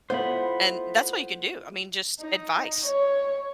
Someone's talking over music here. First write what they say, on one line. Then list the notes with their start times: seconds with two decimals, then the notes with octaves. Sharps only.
and, that's all you can do, I mean, just advice.
0.10 A3 B3 E4 F4 C5 B5
2.20 D#4
2.84 C#5